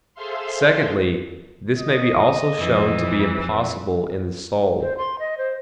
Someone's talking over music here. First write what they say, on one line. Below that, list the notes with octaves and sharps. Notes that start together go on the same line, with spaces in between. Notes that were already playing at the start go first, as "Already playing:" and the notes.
Secondly, this may be also shown to be impossible in the soul.
G#4 A4 C5 E5 F5 C6
D#5
F2 E3
C5
C6
D#5
C5